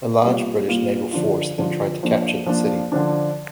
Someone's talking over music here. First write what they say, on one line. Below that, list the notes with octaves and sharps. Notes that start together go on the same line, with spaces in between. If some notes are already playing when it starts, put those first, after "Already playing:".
A large British naval force then tried to capture the city.
C3 G3 A#3 F4
C3 G3 A#3 F4
D3 F3 D4 F4
D3 F3 D4 F4
F3 A#3 D4
F3 A#3 D4
D3 F3 D4